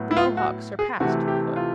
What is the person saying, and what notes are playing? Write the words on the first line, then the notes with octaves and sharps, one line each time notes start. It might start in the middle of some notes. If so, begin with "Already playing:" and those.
The Mohawk surpassed the Fun.
Already playing: A2 F#3 B3
E4
F4
F#4
G#4
C3 E3 A3 F#4
G4
F4